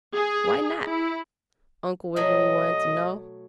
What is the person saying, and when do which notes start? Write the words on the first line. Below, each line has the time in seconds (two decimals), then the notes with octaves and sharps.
"Why not?" Uncle Wiggily wanted to know.
0.14 G#4
0.86 E4
2.16 B2 F#3 A3 D#5